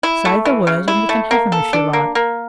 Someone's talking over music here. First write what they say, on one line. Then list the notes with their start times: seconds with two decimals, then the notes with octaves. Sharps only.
"Say the word, and you can have them, if you like."
0.03 E4
0.25 A3
0.45 E3
0.67 C#3
0.88 E4
1.09 A3
1.31 A#3
1.52 A4
1.73 D4
1.93 A#3
2.15 A#3